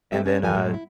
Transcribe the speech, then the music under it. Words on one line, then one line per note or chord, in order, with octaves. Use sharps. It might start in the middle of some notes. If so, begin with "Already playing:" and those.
and then, uh,
G#3 A3 C4 G4 A4 E5
C#4 C#5
E2 F3 A4 A#4 G#5
A2 F#3 G#3
E4